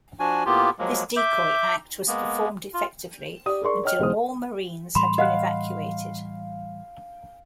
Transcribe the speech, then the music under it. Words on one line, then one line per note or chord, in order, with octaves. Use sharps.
This decoy act was performed effectively until all Marines had been evacuated.
F3 D4 F#4 G#5
A2 A#3 B3 F4 G4
F3 F#3 G#3 A#3
E5 D6 G6
G#3 A#3 B3
F4
G4 D5 D#6
G#4 A#4 D5 C6 C#6
C#5 D#5 G5 F6
B1 E3 G#3 C5 D#6
A2 E3 G3 B5 C6
D#5 F5 F#5 F#6